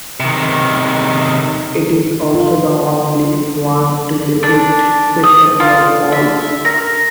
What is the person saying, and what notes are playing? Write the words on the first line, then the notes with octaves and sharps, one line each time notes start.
It is also the only one to depict spectacular falls.
C3 D#3
F4
D4
D#6
F4
E5
A#4